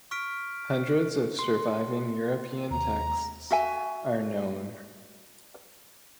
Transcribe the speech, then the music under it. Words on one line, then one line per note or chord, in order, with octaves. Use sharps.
Hundreds of surviving European texts are known.
C#6 F6 B6 D7
C6
D#2 A#5
F#4 E5 G#5